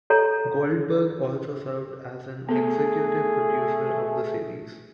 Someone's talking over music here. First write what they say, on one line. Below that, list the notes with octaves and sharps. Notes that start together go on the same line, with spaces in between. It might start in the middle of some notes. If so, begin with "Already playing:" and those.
Goldberg also served as an executive producer on the series.
A4 C#5 A#5
A3 B3 G#4 A4